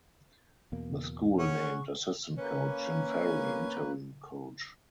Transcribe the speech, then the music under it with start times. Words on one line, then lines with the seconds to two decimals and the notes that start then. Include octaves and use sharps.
The school named assistant coach Jim Ferry interim coach.
0.72 E2 B2 A#3
1.39 C#4 G#4 F#5 C#6
2.38 A#3 C#4 B4